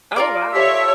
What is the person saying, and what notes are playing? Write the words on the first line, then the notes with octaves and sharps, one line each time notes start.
Oh, wow.
F4 A#4 D5
G4 A4 C#5 E5 E6